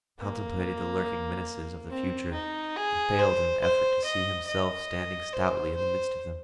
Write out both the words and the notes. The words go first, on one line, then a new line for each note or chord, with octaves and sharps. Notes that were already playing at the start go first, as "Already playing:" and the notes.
He contemplated the lurking menaces of the future, and failed in an effort to see himself standing stoutly in the midst of them.
A#3
C4
D#4
G#4
C5
C5
D#5
D#5
C5
C5